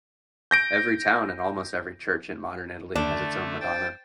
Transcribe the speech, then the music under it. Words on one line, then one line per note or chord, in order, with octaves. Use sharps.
Every town and almost every church in modern Italy has its own Madonna.
G6 A#6 D7
D#2 D3 A3 D4
C5 G5 A6